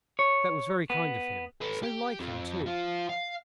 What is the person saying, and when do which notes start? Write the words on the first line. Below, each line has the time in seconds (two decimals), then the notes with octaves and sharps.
That was very kind of him; so like him too!
0.19 C#5
0.90 B3
1.61 A4 B4
1.83 G4
2.20 F2
2.66 F3 F4
3.09 F5